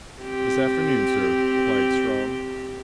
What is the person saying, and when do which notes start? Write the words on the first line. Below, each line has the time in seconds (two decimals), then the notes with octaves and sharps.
"This afternoon, sir," replied Strong.
0.21 C4 G4